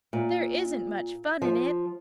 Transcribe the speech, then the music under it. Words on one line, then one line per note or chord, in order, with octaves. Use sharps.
There isn't much fun in it.
A#2
F3